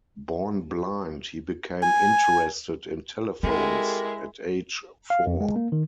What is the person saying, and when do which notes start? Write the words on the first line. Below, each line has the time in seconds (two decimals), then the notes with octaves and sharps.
Born blind, he became interested in telephones at age four.
1.82 G#5
3.43 G#3 C4 E4 G4 A4 A#4
5.10 F5
5.27 F2
5.41 G#3
5.56 A#3
5.72 D#3